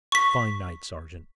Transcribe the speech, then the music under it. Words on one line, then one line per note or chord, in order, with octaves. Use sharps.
'Fine night, sergeant.'
C#6 B6